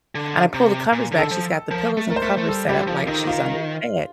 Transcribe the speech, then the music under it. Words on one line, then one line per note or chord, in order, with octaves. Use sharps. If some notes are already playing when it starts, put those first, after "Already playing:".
And I pulled the covers back, she's got the pillows and covers set up like she's under the bed.
D3
C3
A#2
D3
A4
F3
F3 A#4
A3
A#4
C5
A3 A#4
A3
G3 A4
G3 G4
F3 F4
D#3 D#4
F4